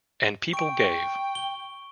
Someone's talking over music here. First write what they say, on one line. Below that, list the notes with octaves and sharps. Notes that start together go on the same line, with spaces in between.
And people gave.
G5 C#6 D7
G7